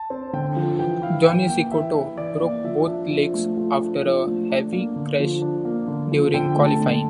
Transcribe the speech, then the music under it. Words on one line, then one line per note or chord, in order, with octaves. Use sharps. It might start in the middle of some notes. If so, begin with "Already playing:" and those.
Johnny Cecotto broke both legs after a heavy crash during qualifying.
Already playing: A5
C4
D3 G5
F3
E3 G5
E4 F5
E3 G5
A#3 G5
E3 E5
E4
E3 D5
A#3
F3 E5
D4
F3
A3
F3
D4
F3
A3
D4
A#3
D3
F3
D4
A#3
D3
F3
D3 G5
A3
A5
D3